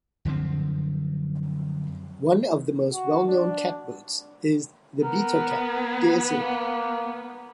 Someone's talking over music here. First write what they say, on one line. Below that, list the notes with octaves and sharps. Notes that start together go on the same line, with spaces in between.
One of the most well-known catboats is the Beetle Cat daysailer.
F#2 D3 F3 C4
F#4
D4
B3 A#4
A#3